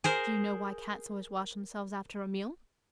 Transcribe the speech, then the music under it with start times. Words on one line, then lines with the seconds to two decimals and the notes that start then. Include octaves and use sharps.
Do you know why Cats always wash themselves after a meal?
0.04 G#4 A#4 C5